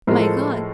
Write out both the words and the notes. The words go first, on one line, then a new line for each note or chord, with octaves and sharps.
"My God!"
A2 F3 G#3 A#4
A4